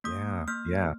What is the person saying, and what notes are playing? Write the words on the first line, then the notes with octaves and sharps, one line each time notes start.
yeah, yeah.
A#3 D#6
A#3 F6